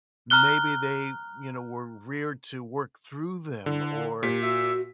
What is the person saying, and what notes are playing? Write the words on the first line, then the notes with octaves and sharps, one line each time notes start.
maybe they, you know, were reared to work through them or,
A#5 F6 F#6 G7
D3 E4
A#2 G4 B6
F#4 E5